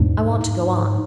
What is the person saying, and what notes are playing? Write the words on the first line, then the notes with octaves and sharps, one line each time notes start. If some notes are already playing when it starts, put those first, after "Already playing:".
"I want to go on."
Already playing: E2 G#2 B2 G#3 D4
G#2